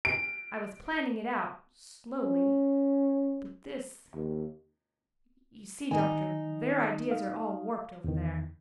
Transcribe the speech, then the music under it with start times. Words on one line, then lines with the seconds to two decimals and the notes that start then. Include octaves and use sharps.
I was planning it out, slowly--but this-- You see, Doctor, their ideas are all warped over there.
0.05 D7
2.22 C#4
4.14 D#2
5.91 D#3 D#4 G#5
7.11 F5
8.04 E2 D#3